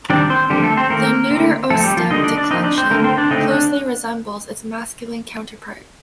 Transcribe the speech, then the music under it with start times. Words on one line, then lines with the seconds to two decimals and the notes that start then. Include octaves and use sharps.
The neuter o-stem declension closely resembles its masculine counterpart.
0.10 D#3 G3 C4 D4 D5
0.30 C4 C5
0.50 D3 F3 G3 A#3 G4
0.63 A3 A4
0.77 C4 C5
0.89 D#3 A3 A#3 C4 A#4
1.30 D3 A3 C4
1.70 F3 A3 C4 A4
1.84 G3 G4
1.97 F3 F4
2.11 D3 G3 A#3 D#4 D#5
2.23 D4 D5
2.37 D4 D5
2.51 F3 C4 D#4 D#5
2.64 D4 D5
2.78 C4 C5
2.90 D3 A3 A#3 C4 A#4
3.04 C4 C5
3.18 D4 D5
3.31 D3 A3 C4 D#4 D#5
3.51 D4